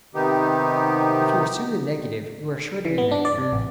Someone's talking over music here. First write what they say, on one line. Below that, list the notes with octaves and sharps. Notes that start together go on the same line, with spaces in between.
If you assume the negative you are sure to be negative.
C3 D#3 B3 D#4 G4
E3
B3
D4
D5
C3
A1